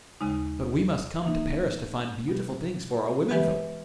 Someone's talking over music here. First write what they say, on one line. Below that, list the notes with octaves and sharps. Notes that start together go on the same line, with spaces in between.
"But we must come to Paris to find beautiful things for our women-folk!"
D#2 C#3 G#3 D#4
E3 A#3 D#4
B2 G3 B3 G4
E3 G#3 B3 G4 B4